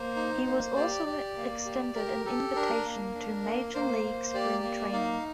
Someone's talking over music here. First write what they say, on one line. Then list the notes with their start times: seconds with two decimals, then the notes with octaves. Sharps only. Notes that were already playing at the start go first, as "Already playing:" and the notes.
He was also extended an invitation to Major League spring training.
Already playing: A#3 C5
0.16 D#4
0.47 A#3
0.76 G4 D5
1.06 G4
1.36 A#3
1.65 G4
1.95 G4 A#4
2.25 G4 A4
2.56 D4 A#4
2.85 A#3
3.14 D4
3.44 A#3
3.74 A#3 C5
4.04 A#3
4.34 G4 D5
4.63 A#3
4.93 D#4 F5